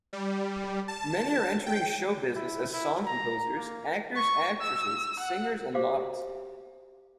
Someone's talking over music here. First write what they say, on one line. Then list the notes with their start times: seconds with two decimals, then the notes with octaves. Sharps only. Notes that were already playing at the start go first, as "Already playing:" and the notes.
Many are entering show-business as song composers, actors, actresses, singers, and models.
0.13 G3
0.88 A5
1.66 G5
2.35 E4
2.73 E4
3.06 A#5
3.57 A#3
4.16 C#6
4.61 E6
5.20 F#5
5.74 F#4 G4 C5 F5 D6